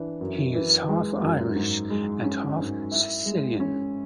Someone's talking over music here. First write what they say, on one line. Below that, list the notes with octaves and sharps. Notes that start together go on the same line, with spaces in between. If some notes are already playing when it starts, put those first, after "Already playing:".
He is half Irish and half Sicilian.
Already playing: E3 D4
F#2
E3
G#3
F#2
G#2
G#3
C#4
G#2
E4
G#3
C#4